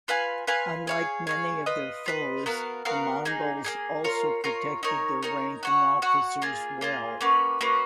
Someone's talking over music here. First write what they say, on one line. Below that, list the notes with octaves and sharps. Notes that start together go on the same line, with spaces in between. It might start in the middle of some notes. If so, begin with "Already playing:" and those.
Unlike many of their foes, the Mongols also protected their ranking officers well.
F4 B4 F5 G#5
F4 B4 F5 G#5
G#4 C#5 F5
G#4 C#5 F5
F4 B4 D#5
F4 B4 D#5
B3 F#4 A#4 F5
B3 F#4 A#4 F5
A#3 D#4 G#4
A#3 D#4 G#4
F4 A#4 C#5
F4 A#4 C#5
D#4 A#4 C#5
D#4 A#4 C#5
F#4 C#5 F#5
F#4 C#5 F#5
A#3 F4 G#4
A#3 F4 G#4
A#3 C#4 F#4 B4
A#3 C#4 F#4 B4